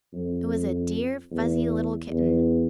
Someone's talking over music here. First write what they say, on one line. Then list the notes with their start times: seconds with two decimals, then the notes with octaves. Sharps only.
It was a dear fuzzy little kitten.
0.13 F2
1.31 E2
2.09 E2